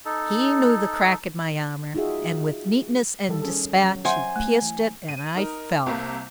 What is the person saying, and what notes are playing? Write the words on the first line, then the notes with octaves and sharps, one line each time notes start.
He knew the crack in my armor, and with neatness and despatch he pierced it, and I fell.
D#4 A4
D#4 F4 F#4 G#4 E5
D#3 G3 A4
C#4 G#4 A4
F#3
C5 E5 F#5 G#5 C6
A3
E3
D#7
D#4 A#4
C2 C3 A#3